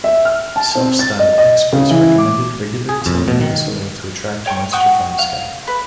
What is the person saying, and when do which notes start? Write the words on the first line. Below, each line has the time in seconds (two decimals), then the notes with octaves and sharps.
Self-styled experts recommended regular tilling of the soil to "attract" moisture from the sky.
0.04 E5
0.25 F6
0.56 A5
0.75 C4
0.99 A6
1.19 D#5
1.38 D#5
1.73 C#3
1.91 E3
2.18 D6
2.89 G#4
3.06 F2
3.28 B2
3.41 D#3
4.46 C#5 G5 G#5 C#6
4.72 F#4 G5 C#6 D#6
5.19 F5
5.67 B4